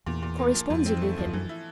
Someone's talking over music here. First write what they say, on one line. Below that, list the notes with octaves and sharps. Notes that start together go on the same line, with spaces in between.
"Corresponded with him?"
E2 A#2
A#2
A#3
F3
F2 G#2
C4
A3
E2 F3
F2
F#2 E3
E4